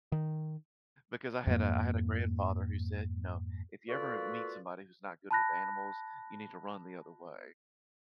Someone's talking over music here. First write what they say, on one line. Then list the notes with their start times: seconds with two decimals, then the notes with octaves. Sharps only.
Because I had a I had a grandfather who said, you know, "If you ever meet somebody who's not good with animals, you need to run the other way."
0.12 D#3
1.47 F2 G#2 A#3
3.89 A#3 F4 F#4 A4 B4 D5
5.31 A5 B5 F#6 A#6